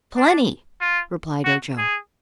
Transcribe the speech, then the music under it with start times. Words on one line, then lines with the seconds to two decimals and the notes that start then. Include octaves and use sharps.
"Plenty," replied Ojo.
0.17 D4
0.81 F4
1.45 F#4
1.78 G#4